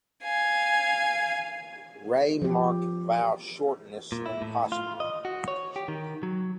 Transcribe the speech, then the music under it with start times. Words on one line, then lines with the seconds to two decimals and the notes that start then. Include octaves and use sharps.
Ray marked vowel shortness when possible.
0.24 F5 G#5
2.42 F3 G4
4.12 A#2
4.26 E4
4.42 A2
4.72 F4
5.00 D#5
5.25 F#4
5.48 C#5
5.76 G4
5.88 D#3
6.23 F#3